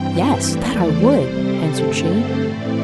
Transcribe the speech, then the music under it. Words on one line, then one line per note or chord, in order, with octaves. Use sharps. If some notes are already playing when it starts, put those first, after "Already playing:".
'Yes, that I would!' answered she.
Already playing: G2 E3 C4 G5
E5
E2 E3 A3 D5
C5
C3 G3 C4
A4
G2 D3 A3 C4
C5
A2 E3 A3 C4 D5